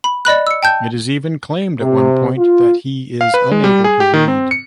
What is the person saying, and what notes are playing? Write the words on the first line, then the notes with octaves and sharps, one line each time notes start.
It is even claimed at one point that he is unable to read.
B5
D5 D#5 B5 F#6
E6 C#7
G5 A5 G6
C3
F4
F5
B4
G#3
G3
G#4
G4
D#3
C4
C#7